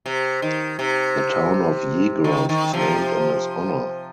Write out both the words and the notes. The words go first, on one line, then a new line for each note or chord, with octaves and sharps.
The town of Yegros is named in his honor.
C3
D#3
C3
D#3
D#3
C3 F3